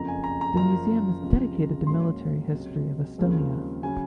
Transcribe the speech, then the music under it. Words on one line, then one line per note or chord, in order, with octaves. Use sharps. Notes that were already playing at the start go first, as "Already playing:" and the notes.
The museum is dedicated to military history of Estonia.
Already playing: F#1 F2 C#3 F3 A#5
G#5
A#5
A#5
F#1 F#2 F3 A#5
C#2 C3 F3 G#3
G#2 F#3 A#3 C#4 C6
C#2 C3 F#3 C#4
D#2 C#3 F3 G#3 C4
C#3 F#3 G#5